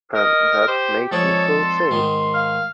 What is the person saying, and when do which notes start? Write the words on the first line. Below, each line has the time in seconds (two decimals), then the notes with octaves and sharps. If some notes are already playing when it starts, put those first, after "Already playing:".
And that makes me feel safe.
0.15 A#4 D#5
0.68 G4 C5
1.12 F2 G#3 A4 C#5 D5
1.50 C6
1.91 G#2 D#3
2.34 F5